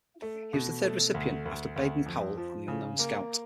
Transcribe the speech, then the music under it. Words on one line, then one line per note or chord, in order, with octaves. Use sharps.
He was the third recipient, after Baden-Powell and the Unknown Scout.
A3
B2
A3
D2
D2
D2
F2
F3
C#3
A#3